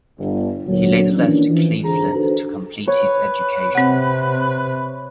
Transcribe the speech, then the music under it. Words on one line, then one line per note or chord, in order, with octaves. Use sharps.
He later left Cleveland to complete his education.
G1
D2 A#2 F#3
D#3 E3 F#3 A#3 C#4 D4
E3 F3
G#1 D3 G#4 C5 A#5
D4 D#4 F#4 A4 B4 C5
B4 C#5
C3 C4 F#5